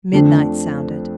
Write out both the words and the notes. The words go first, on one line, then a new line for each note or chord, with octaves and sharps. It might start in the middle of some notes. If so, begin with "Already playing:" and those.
Midnight sounded.
F2 D3 F3 A3 D4